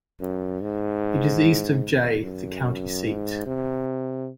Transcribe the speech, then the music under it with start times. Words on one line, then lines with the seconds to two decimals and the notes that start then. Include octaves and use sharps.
It is east of Jay, the county seat.
0.21 F#2
0.61 G#2
2.23 F#2
3.05 G#2
3.46 C3